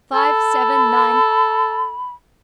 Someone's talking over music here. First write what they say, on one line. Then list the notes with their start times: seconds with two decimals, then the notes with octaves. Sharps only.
Five, seven, nine.
0.14 A4 B5